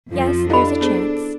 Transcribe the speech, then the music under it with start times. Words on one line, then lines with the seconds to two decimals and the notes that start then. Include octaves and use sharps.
"Yes, there's a chance."
0.11 F2 F3 F4
0.50 D4 E4 G4 A4 D#5 F5 B5
0.81 B3 G#4 C5